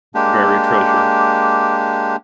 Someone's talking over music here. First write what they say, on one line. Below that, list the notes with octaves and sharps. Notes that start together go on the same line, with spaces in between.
buried treasure,
G#3 A#3 D4 G4